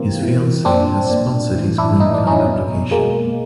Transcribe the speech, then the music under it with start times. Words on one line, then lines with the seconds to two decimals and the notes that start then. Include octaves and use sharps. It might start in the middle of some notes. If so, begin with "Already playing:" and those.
His fiancée had sponsored his green card application.
Already playing: C3 E3 A#3 C4
0.20 C3 E3
0.65 A#2 C4 D4
1.11 A#2
1.55 A2 E3
1.78 D4 E4
2.00 A2 E3 D#4
2.14 D4
2.27 C#4 D#4
2.46 B2
2.91 B2 G#3 A#3